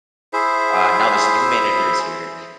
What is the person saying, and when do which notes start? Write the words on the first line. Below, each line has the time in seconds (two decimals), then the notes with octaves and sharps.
uh, now this new manager is here,
0.33 E4 G#4 C5 E5